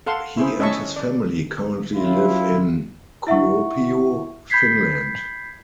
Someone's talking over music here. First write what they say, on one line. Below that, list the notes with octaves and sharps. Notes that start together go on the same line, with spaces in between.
He and his family currently live in Kuopio, Finland.
A4 F5 F#5 C6
E4 G#4 C5
C#4 D#5 E5 G#5 A5 C#6
D5
F#3 C#4 E4 F4
E4 E5 F#5 C#6
B5 G6 G#6 B6 C7